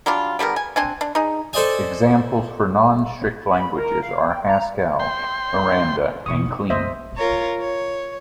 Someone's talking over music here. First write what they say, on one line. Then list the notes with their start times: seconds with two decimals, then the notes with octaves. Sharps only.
Examples for non-strict languages are Haskell, Miranda, and Clean.
0.06 F#3 G3 D4 F4
0.39 D3 G3 B3 A#4
0.56 G#5
0.76 C4 D4 G#5
1.01 D4
1.15 D#4 G#4
1.53 A4 C5 D5 D#5 G#5
3.49 B5
3.75 A#4
4.02 F5
4.27 G5
4.46 A#5
5.00 G5 C6
6.26 B2 G3 C#6 D#6
6.46 A3 E4
6.70 F#2 C5 D#5 E5
7.16 F4 A#4 C#5
7.60 C#5